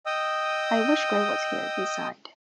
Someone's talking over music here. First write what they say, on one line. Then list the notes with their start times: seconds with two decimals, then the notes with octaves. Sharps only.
"I wish Gray was here," he sighed.
0.06 D#5 G5 D#6 E6